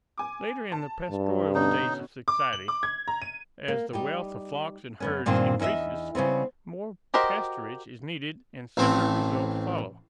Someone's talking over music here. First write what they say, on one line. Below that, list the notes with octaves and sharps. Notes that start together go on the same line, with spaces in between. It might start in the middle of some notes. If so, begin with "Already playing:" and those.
Later in the pastoral stage of society, as the wealth of flocks and herds increases, more pasturage is needed and similar results follow.
G#5 D6
A5
G2
B2 D3 C#4 D#4
D6
F#7
D6
G#6
A#5
D#7
A#3
G3 D#4 G4
F#2 B3 C#4
G2 A#2 D#3 C4 D4 C5
E2 D#4 E4 D#5 E5
C#3 G3 B3 C4
F#4 G4 A#4 C5 D#5
A1 A2 A3 C4